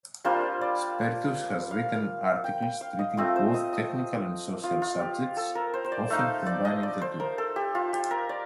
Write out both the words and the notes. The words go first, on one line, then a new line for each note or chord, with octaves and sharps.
Spertus has written articles treating both technical and social subjects, often combining the two.
G3 A#3 D4 F4 C5
D5
F5
G5
G5
F5
D#5
A3 C4 F4 D#5
C5
D#5
D#5
F4
F4
G4
A4
A#4
C5
C5
D5
A3 D#4 F5
D5
D#5
D5
C5
A#4
A4
G4
F4
G4
A#4
D5